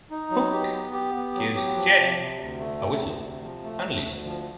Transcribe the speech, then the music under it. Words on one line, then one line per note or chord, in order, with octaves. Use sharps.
Hook gives Jane a whistle and leaves.
D#4
F#3
G4
B3
G4
B3
F#3
G4
F3
C3
C3
D2
A3
C3
D2
C3
F3
A3
D2
D2
F3